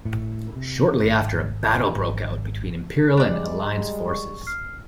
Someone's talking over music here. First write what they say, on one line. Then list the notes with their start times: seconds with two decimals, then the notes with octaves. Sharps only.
Shortly after, a battle broke out between Imperial and Alliance forces.
0.05 A2
0.56 C3
1.04 G#1
1.96 G#1
3.17 G3 G#3 D4 D5
3.62 A#5 C6
4.09 C#6
4.47 F6 C7